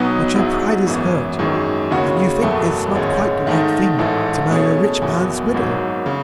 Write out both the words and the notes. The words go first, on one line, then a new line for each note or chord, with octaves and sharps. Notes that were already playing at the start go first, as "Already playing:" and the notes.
But your pride is hurt, and you think it's not quite the right thing to marry a rich man's widow.
Already playing: B1 B2 F#3 B3 D#4
G#2 F#3 B3 E4 G#4
G#1 F#2 E3 B3
G#1 F#2 D#3 G#3
D#2 C#3 G#3 C#4 F#4
F#1 E2 B2 F#3 A3
A1 G#2 D#3 G#3 C#4
G#2 D#3 A3 D#4
A1 G#2 E3 A3
B2 A3 C#4 G#4
F#1 E2 B2
G#1 G#2 F#3
C#3